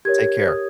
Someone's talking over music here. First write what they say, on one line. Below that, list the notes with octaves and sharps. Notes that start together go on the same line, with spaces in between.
Take care.
G4 A#4 C#5 G#6
D#6